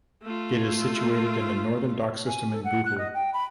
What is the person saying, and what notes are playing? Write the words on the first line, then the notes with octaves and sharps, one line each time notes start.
It is situated in the northern dock system in Bootle.
A3 F4
G#5
A4
F#5
F#6
D#5
G5
B5